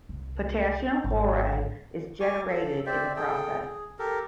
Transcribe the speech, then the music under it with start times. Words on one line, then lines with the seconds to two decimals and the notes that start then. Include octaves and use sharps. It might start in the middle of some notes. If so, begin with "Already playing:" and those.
Potassium chloride is generated in the process.
0.09 C2
1.04 G#1
2.20 G#5 C#6 D6
2.49 A4
2.86 C4 C5 D5 E5
3.16 G#4 A4 G5
3.59 G#4
3.99 G4 A4 A#4